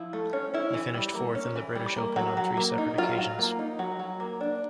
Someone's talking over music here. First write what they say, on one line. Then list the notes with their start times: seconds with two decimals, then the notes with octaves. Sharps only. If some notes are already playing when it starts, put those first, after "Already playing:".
He finished fourth in the British Open on three separate occasions.
Already playing: F3 E4
0.13 A3
0.33 C#4
0.54 C#4 E4
0.74 E3
0.94 G3
1.15 A#3
1.35 C#4
1.56 E3
1.75 G3
1.96 A#3
2.16 F#3
2.37 F#3
2.57 A#3
2.78 D#4
2.98 F#3 F4
3.18 F#3
3.39 A#3
3.59 D#4
3.79 F#3
3.99 F#3
4.20 A#3
4.41 D4